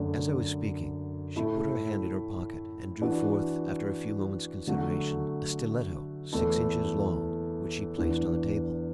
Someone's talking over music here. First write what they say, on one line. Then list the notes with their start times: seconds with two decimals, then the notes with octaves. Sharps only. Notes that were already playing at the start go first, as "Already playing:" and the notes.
As I was speaking, she put her hand in her pocket and drew forth, after a few moments' consideration, a stiletto six inches long, which she placed on the table.
Already playing: F#2 D3 A3 D4
1.36 A2 A3 E4
3.01 E3 D4 F#4
4.67 D3 F#3 A3 F#4
6.32 E2 E3 A3 E4 A4
7.98 E2 E3 D4